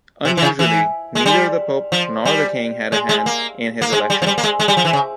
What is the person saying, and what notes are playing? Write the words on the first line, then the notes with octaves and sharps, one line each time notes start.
Unusually, neither the pope nor the king had a hand in his election.
C3
E3
C#3
E3
G#3
G3
F3
G3
G#3
G#3
A#3
A#3
G#3
G3
F3
G3
A#3
G#3
G#3
G3
F3
E3
C#3